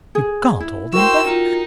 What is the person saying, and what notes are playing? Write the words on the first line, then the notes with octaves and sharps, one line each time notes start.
You can't hold him back.
G#4
E4
F#4 A#4 C5 G5 C#6 E6
D#4 F4